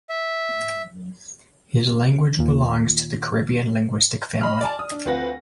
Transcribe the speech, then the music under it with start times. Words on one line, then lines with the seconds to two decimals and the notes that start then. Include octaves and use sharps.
His language belongs to the Caribbean linguistic family.
0.09 E5
2.39 D#2 A#2
4.41 D#5 B5 C6 F6
4.61 D5 G#5 A5
4.79 D#6
4.91 D4
5.05 D2 C4 F4 B4 F#5 A#6